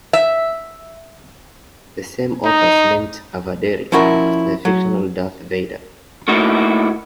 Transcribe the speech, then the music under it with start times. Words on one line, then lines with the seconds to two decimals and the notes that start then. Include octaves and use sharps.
The same authors named "A. vaderi" after the fictional Darth Vader.
0.13 E5
2.44 D#4
3.92 F3 C#4 E4 F#4 A#4
4.65 F#3
6.28 A3 A#3 D#4 E4 F#4